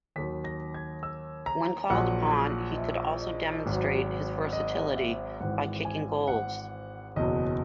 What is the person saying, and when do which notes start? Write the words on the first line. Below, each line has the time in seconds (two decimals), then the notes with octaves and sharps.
When called upon, he could also demonstrate his versatility by kicking goals.
0.16 D#2 D#3 F#3 B6
0.44 A#6
0.74 G#6
1.03 E6
1.46 A#5
1.90 A#1 A#2 F#3 F#5
2.72 D#5
2.78 E5
3.22 D#5
3.66 G#1 G#2 F#3
4.53 D#5
4.96 E5
5.41 G#1 G#2 E3 F#5
5.85 G#5
6.28 F#5
7.16 F#1 E2 B2 F#3 D#5